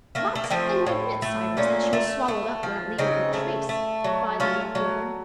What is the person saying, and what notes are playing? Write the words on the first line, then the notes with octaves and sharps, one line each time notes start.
"What! then you admit, Cyrus, that she was swallowed up without leaving any trace?" cried the reporter.
A3 A#3
A3
A#3
F3 A3 C4
A2
A3
A#2 A#3 C#4
A3
A3
F3
C#3 C4 D#4
A3
A3
F#3
A3 C#4 F4
F#3